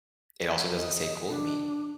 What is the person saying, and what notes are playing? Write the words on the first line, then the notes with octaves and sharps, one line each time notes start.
It also doesn't say, "cold meat."
D#5
D4